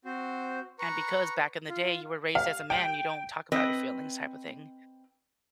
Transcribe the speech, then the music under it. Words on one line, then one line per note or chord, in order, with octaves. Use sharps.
And because, back in the day, you were raised as a man, you don't talk about your feelings type of thing
C4 F#4 C5
B4 A#5 C#6
F4
F5
G5
C4 B4 D#5